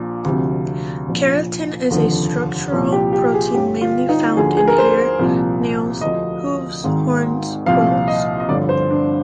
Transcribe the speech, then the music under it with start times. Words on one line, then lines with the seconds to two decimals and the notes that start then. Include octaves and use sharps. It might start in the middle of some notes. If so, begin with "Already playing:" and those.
Keratin is a structural protein mainly found in hair, nails, hooves, horns, quills.
Already playing: A#1 A#2 F3
0.25 D2 C3 F3
1.08 A#1 A#2 F3
1.90 F1 D#2 D3 F3
2.72 C2 A#2 F3
2.92 G4
3.13 G4
3.34 G#4
3.54 G1 G2 D3 G4
3.81 F4
4.09 D#4
4.37 D2 D3 F3 G#4
4.57 G#4
4.67 A#4
4.78 C5
5.19 C2 A#2 F3
6.01 D2 D3 F3 D#5
6.84 G#1 G#2 D#3
7.66 C2 A#2 F3 F5
8.08 D#5
8.40 D#5
8.49 G1 G2 D3 F3 D5
8.69 C5
8.90 D4